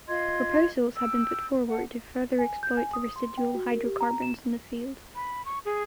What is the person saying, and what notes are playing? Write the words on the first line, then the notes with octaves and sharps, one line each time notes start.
Proposals have been put forward to further exploit the residual hydrocarbons in the field.
F4 D#5 C6 G#6
G5 E6
A4 F#5
G#5
G6
G#5
D#6
C6
G5
F#4
A#4
G4
A#5
E7
B5
C#6
G#4